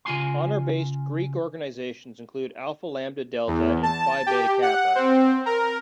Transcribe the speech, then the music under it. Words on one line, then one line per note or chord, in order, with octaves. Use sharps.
Honor-based Greek organizations include Alpha Lambda Delta and Phi Beta Kappa.
C#3 F4 G#5 C6
E2
A5
G4
F#5
C4
A#4